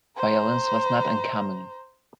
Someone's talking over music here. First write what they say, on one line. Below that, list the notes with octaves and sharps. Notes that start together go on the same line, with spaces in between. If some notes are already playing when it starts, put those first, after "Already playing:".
Violence was not uncommon.
C5 A#5